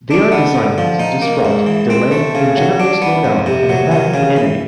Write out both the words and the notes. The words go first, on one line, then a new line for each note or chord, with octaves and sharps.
They are designed to disrupt, delay and generally slow down an attacking enemy.
D4
B3
D3
F3
D#4
A#3
G#2
E3
C4
A3
C#3
F#3
D4
B3
F2
C3
F#3
D#3
C#3
E3